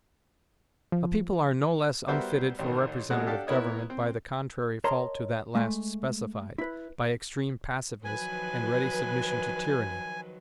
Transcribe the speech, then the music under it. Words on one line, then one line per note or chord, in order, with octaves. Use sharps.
A people are no less unfitted for representative government by the contrary fault to that last specified--by extreme passiveness, and ready submission to tyranny.
F3
G3 B3 F#4 A#4 C5 E5
A1 D#3
A1 B2 G#3 F#4 A4 F#6
D4 G4 A4 F5 F#5 A5
B3 E4 A#4 C#5 D#5
C4
A#4 C#5 D#5 A5 A#5 C6
G#3 A3
E4 B4
D#3 F3 F#3 B4 G#5